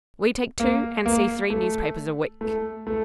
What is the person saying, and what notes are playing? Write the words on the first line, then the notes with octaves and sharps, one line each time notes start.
We take two and see three newspapers a week.
A#3
A#3
A3
A3
A3